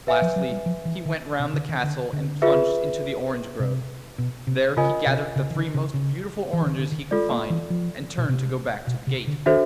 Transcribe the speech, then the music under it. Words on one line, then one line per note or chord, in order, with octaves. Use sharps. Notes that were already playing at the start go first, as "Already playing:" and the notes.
Lastly he went round the castle, and plunged into the orange grove. There he gathered the three most beautiful oranges he could find, and turned to go back to the gate.
B4 E5 G#5
F3
F#3
G3
F3
E3
D#3
C3
D3
D#3
D3
D3
F4 G#4 B4 E5
C3
B2
C3
C#3 F4 A#4 D#5 G#5
C3
C#3
D#3
D3
C#3
C#3
E3
D#3
D3
D#3
G#3 F4 A4 D5
A#3
E3
F3
B2
C3
B2
C3
D3
D#3 D4 F#4 A4 C5 E5